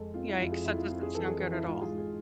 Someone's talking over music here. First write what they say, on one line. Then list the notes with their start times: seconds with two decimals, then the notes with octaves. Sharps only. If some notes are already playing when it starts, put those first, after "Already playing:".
Yikes, that doesn't sound good at all.
Already playing: F2 G#3 A4
0.14 C4 F4
0.28 E4
0.39 F2 F4
0.52 G#4
0.64 F2 E4
0.78 F4
0.89 C4 F4
1.02 G#4
1.14 E3 A4
1.28 G#4
1.40 E3
1.52 E4
1.65 G#2 F4
1.81 G#4
1.90 G#2
1.98 G#4